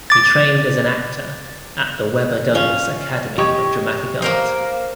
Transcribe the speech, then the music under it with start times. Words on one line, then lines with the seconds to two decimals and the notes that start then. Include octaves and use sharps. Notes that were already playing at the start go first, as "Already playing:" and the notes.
He trained as an actor at the Webber Douglas Academy of Dramatic Art.
0.10 D6 A6
2.55 C#4 F4
3.38 G4 D#5 C#6 G#6
4.22 A#3 A#4 C5 F7